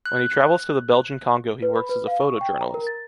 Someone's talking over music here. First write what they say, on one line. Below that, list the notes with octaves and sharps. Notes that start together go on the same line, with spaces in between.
When he travels to the Belgian Congo he works as a photojournalist.
F#6
B4
B5
B4
F5
C#6
G5
A#5
A#4
A6